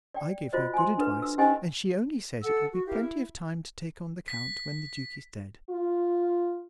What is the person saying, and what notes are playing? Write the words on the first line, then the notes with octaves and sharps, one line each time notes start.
I give her good advice, and she only says it will be plenty of time to take on the count when the duke is dead.
D5 G5
F4 F#4 C5 D#5
G#5 C6
D4 A4 B4
E6
C#4 D#4 G4 C5 D#5 G#5
A4 F#5 E6
F#4
E4 G4 A#4 F5
E4
B6
F4